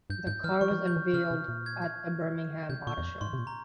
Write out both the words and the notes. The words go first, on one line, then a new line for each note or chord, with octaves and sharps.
The car was unveiled at the Birmingham Auto Show.
G2 G6
G#2 G6
E3 F6
F3 C#6
E3
F3
G6
E3
C#3 F6
C3
A#2
G#6
G#6
C3 G6
A#2 C#6
E2
F2
G#2 C6
C3
A#2
A#5